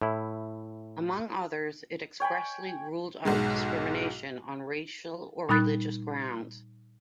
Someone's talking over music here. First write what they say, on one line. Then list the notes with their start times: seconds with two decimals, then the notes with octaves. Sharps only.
Among others, it expressly ruled out discrimination on racial or religious grounds.
0.02 A2 E4
2.20 C#5 G5 G#5 B5
3.25 B1 G#2 G#3
5.49 A#2 G3 D#4 B5 F#6 A6